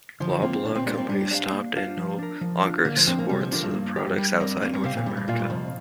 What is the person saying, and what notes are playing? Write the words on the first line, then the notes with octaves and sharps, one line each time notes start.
Loblaw Companies stopped and no longer exports the products outside North America.
D3 F3
A#3 C4 F4
A#2 D4
C4
G3 A#3 D4 F4 C5
C4
G3 D4
D4 G4 C5 F5
A#3
D4 F4 C5 F5
F3
D4 A#4
F3
D4 F4
D3 A#3
F3
F3 C4 D4
A#3
C3 G3
F3
D3 F3 D4 F4 A#4
G2
A#3
G4 A#4
G3
G2 C4 A#4 D5
A#3 C4
G3
C3 G4 C5 F5
A#2
G2 G3
G2
A#2 A#3 F4 D5 F5
G2
F2 C3